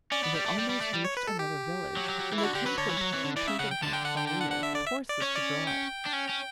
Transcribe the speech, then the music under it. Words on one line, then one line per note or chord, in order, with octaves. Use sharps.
They had almost reached another village when they came to a tiny painted house on wheels with horses to draw it.
C#4 D5
B3
G3
A3
G3
G3
A3
G3
C#5
B4
A4
G4
F#3
F#3
F#3
E3
E4
D3 F#4
D3 G4
F#3 B4
D3 C#5
E3
G3
F#3
E3
D3
E3 D5
C#3 E5
C#3 F#5
G5
D3 A5
G5
F#5
G5
G5
F#5
F#5
E5
D5
E5
D5
C#4 C#5
D5
G5
D4
C#4
C#4